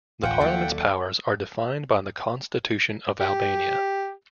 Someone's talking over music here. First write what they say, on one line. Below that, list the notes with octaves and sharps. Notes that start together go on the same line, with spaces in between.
The Parliament's powers are defined by the Constitution of Albania.
D1 A1 C#4 F4 F#4 F#5 G5
D#2 D3 F#3 A3
G4